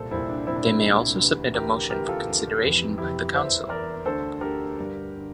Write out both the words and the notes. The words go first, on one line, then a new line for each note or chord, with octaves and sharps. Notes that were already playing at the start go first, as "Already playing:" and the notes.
They may also submit a motion for consideration by the Council.
Already playing: C2 A#2 A4 C5
C2 A#2 C4 E4
D4
C2 A#2 C4 E4
D4
C4 E4
C2 A#2
D2 C3 E3
D2 C3 E3 G4 A#4
D2 C3 E3 G4 A#4
F4 A4
D2 C3 E3
F2 C3 E3
F2 C3 E3 E4 G4
E2 E3 C5 E5
E2 E3 A#4 D5
D2 D3 A4 C5
D2 D3 G4 A#4
G2 D3
D3